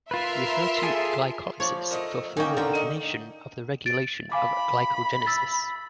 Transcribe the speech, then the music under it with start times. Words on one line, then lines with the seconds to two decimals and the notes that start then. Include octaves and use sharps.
Refer to glycolysis for further information of the regulation of glycogenesis.
0.11 F4 A#4 B4 E5 C6
0.83 F4 G#4 A4
1.60 F3 C#5 D5
1.91 A3 D#4 A#4
2.37 D#3 A#3 C#4 D#4 G5 G#5
2.57 D3 A3 A#4 G5
2.75 D#4
3.86 A6 D7
4.32 F5 G#5 B5 D6
5.25 E6 A6 B6